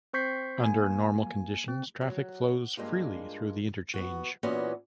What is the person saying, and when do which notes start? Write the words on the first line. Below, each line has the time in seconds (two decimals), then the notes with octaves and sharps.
Under normal conditions, traffic flows freely through the interchange.
0.13 C4 C5 C#6 G6 B6 C7
0.60 A#3 G#5
1.68 C4
2.01 F#3
2.77 G2 G#3 A#3 F4
3.94 B3 F#4
4.43 A#2 E3 B3 C#4 F#4 D#5